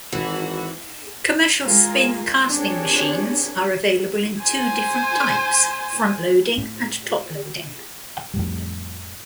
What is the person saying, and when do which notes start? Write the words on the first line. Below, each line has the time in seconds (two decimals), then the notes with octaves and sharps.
Commercial spin casting machines are available in two different types, front-loading and top-loading.
0.13 G#1 E3 F#4
1.63 G#3 F4 G#4 A#4
2.49 C4 D4 G4 G#4 A#4 C#5
4.43 C5 G#5
6.58 A2
8.34 F2 A2 G3